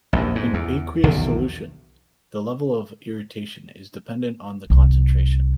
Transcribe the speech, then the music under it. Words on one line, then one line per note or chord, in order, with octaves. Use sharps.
In aqueous solution, the level of irritation is dependent on the concentration.
A#1 E2 G2
G#2
E2
B1 E2 D3 D#3
C2